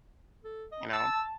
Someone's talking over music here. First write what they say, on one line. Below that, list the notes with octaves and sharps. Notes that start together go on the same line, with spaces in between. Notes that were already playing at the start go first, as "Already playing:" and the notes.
You know?
A4
D#5
A5 E6